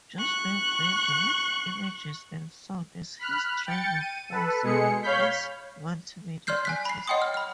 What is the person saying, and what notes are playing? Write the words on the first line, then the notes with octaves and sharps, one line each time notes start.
Just being busy with images and sound is his driving force as multimedia artist.
C#6 F#6
B5 F6 F#6
G5 A6 C#7
D#7
A4 B4
B2 G#3 G#4 C#7
C#5 F5 B5 F6 G6 B6
D5 C6 F6 G6 C7
G#5 F#6 B6
B5 C7
C#5 D#5 F#5 G5 C6 D#6
F6
B5 F6